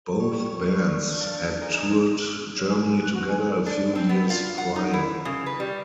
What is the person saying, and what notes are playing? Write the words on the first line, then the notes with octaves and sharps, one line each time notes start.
Both bands had toured Germany together a few years prior.
G3 C#5
D4
F5 A5
D#4 G#4 A#4
C#5
G#5
G#5
F#6
F#4
G#5
D4
C4
B3
F4
F#5
D#4
E4
C#3
B4
G3